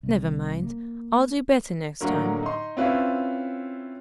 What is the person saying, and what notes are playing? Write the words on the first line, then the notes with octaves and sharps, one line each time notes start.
'Never mind; I'll do better next time.'
C2
A#3
A2 D3 F#3 A#3
D#4 C6
C4 C#4 E4 F4 B4